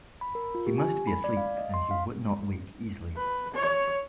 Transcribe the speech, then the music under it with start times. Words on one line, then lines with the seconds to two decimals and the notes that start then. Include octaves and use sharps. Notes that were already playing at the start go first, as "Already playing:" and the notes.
He must be asleep, and he would not wake easily.
0.21 B5
0.35 A#4
0.55 F4
0.66 G4
0.78 G#5
1.07 B5
1.24 D5
1.37 F5
1.58 D#5
1.74 C6
1.91 F5
3.16 B4
3.54 C#5